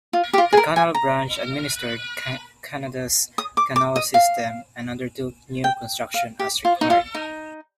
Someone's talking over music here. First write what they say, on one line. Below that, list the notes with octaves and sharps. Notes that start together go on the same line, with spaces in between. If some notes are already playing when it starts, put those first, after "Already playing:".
The Canal Branch administered Canada's canal system and undertook new construction as required.
F4
G4
F4
G#4
A#4
G#5
A#5
D#6
D6
D6
D#5
F5
G5
F5
G4
F4
D#4
F4
D#4